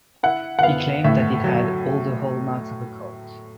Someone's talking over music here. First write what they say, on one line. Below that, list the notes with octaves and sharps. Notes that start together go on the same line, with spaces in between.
He claimed that it had "all the hallmarks of a cult".
E4 F#5
F#5
B3 F5
A2 E5
F#3